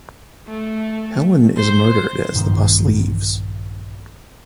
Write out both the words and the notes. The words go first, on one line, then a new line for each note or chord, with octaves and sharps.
Helen is murdered as the bus leaves.
A3
C5
A#1 G2 D#3 B3